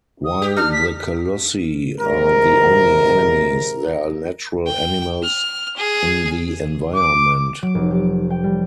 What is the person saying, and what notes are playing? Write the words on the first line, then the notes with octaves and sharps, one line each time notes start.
While the colossi are the only enemies, there are natural animals in the environment.
D#6
G4
D4 F6
B6
G#1 C3 G#3 A#4
G5
F6
G#4
D6
F#3
F1
G4
G5
G3